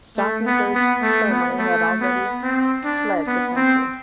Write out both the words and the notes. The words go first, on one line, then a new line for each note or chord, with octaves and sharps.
Stauffenberg's family had already fled the country.
A3
B3
B3
A3
B3
A3
B3
C4
D4
B3
C4